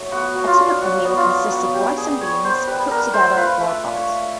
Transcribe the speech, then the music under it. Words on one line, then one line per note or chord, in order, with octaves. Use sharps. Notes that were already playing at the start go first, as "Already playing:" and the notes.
A typical meal consists of rice and beans, cooked together or apart.
Already playing: F#3 A3
B3 F#4
F#3
F4
D4
F#3 F#4
B3
F4
F#3
B3 F#4
G3 G4
D4 G#4
G3 C#5
B3 C5
G3 B4
D4 A#4
A3 C5
F4 B4
A3
D4
C#5
A3